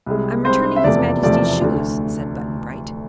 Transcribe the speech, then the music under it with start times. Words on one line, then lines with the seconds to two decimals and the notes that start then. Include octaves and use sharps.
"I'm returning his Majesty's shoes," said Button-Bright.
0.06 C2 C3 G#3
0.45 C2 C3 G#3 C5
0.76 E5
0.84 F1 E2 C3 F3 A3 D5
1.23 F1 E2 C3 F3 A3 D5
1.61 D2 D3 A3